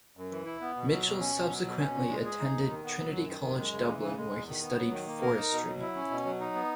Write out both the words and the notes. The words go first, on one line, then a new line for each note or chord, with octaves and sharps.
Mitchel subsequently attended Trinity College Dublin where he studied forestry.
F#2
E3
E4
B3
B2
F#3
B2
C#4
B2
F#3
B2
C#4
A#2
G#3
G#4
D#4
D#2
D#3
B3
F#3
F#2
D#3
F#2
G#3
C#3
E3
C#3
G#3
E2
D#3
B3
F#3
D#3
A#3
A#4
D#4
B2
F#3
E4
C#4
B2
F#3
D#4
B3